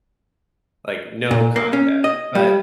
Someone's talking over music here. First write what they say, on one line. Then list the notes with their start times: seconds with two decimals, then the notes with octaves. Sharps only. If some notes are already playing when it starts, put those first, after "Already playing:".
Like, no contest. But
1.31 A#2
1.56 A#3
1.73 C#4
2.04 D#5
2.35 G3